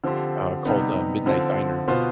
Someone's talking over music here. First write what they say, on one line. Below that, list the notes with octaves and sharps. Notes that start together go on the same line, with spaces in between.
uh, called, uh, Midnight Diner,
D3 F3 C4 G4 C5
C3 G3 B3 D#4
D3 F3 C4
B2 B3 F4 C5